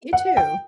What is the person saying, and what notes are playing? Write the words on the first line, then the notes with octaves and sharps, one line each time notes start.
You, too.
F#5
G5